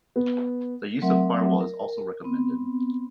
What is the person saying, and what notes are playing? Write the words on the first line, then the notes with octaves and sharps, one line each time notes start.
The use of a firewall is also recommended.
B3
F#3 A3 C4 A#4 E5 F#5
A#4
B3 C4